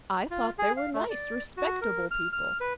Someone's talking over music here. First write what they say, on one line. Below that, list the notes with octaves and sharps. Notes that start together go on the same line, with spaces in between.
"I thought they were nice, respectable people."
F4
G#4
F5
A3
D5
F#4
A#4
F6
F6
B4